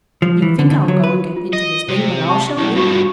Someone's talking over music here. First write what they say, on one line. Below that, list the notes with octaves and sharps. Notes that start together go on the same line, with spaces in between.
You think I'll go and get into this thing, but I'll show you.
F3
E3
D3
D3
F#3
B4
F4
D#5
C3
A5 C#6
B1 E4
G2 F3 F#4 C#6